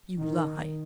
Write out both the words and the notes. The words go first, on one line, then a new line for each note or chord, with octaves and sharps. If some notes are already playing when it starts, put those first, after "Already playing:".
"You lie!"
D#3